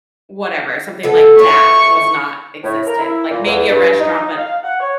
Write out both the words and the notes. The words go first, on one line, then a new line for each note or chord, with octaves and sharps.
whatever, something like that was not existent. Like maybe a restaurant, but
D3 B3 A4
A3 F#4 C#5 C#6
A2
A#4
E4
A#2
E2
G2
D#4
D#4
F5
F#5
C#5